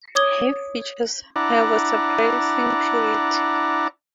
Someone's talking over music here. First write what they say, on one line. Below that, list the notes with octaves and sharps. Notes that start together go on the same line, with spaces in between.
Her features have a surprising purity.
C#5 D6 D#6 G#6 G7
D4 E4 D5 F#5 A#5